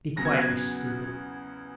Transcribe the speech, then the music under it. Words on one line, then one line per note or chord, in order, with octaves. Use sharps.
Be quiet, you stupid!
E2 C#3 F#3 B3 A#6
G#6
F#6
G#6